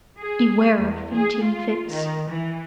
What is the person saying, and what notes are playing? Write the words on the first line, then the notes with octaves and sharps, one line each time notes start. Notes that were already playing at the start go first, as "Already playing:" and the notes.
Beware of fainting-fits...
G#4
E2
G#4
F4
D#3
E3